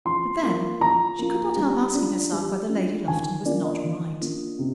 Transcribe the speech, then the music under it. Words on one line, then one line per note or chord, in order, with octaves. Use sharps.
But then she could not help asking herself whether Lady Lufton was not right.
F3 C6
A#3 F4
F3 A#5
A#3 F4
G3
D4 F4
G3
D4
F4
D#3 G#5
A#3 D4 F4 D5
D#5
D#3
A#3 D4 F4
C3